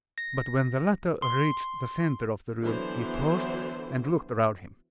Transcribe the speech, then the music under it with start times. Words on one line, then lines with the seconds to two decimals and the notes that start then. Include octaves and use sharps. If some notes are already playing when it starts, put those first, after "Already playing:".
But when the latter reached the centre of the room, he paused and looked around him.
0.18 A#6
1.22 C6
2.61 D3 E3 F#3 B3 C5